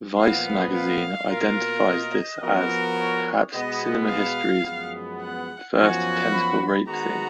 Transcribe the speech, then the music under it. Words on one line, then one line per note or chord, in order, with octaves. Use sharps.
"Vice" magazine identifies this as "perhaps cinema history's first tentacle-rape scene".
A#2 F3 B3 F5
F5
B2 A#3 F4 A#4
D#5
F3 B3 F#4 A#4
C#5
B2 G#3 B3 D#5
F5
F#2 F3 G#3 B3
F#5
F#2 F3 B3 F#4 G#5
B5
D#3 G#3 B3 F#4 A#5